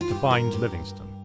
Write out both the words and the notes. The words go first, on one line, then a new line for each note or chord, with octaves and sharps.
"To find Livingstone."
F4
G2 G4
A#4
G2 G4